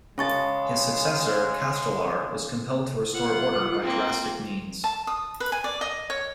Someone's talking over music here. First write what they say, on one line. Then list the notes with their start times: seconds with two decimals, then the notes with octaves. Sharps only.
His successor, Castelar, was compelled to restore order by drastic means.
0.18 C#3 G#3 C#4 A5 C#6 A6
3.13 F4 F#5
3.82 A#3 C4
4.84 A5
5.07 D#6
5.40 B4
5.52 G#5
5.64 D5
5.81 D#5
6.10 C#5